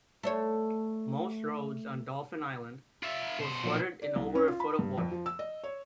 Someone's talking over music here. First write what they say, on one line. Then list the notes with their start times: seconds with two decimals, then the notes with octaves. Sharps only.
Most roads on Dauphin Island were flooded in over a foot of water.
0.23 A3 C5 C#5
3.03 F4 E5
3.39 B2 C5
3.64 A#2 F3 F#3
4.02 D5
4.16 C2
4.35 C#4
4.48 F4
4.60 B5
4.79 G2
4.98 F2
5.11 F3
5.26 E6
5.39 D#5
5.64 C#5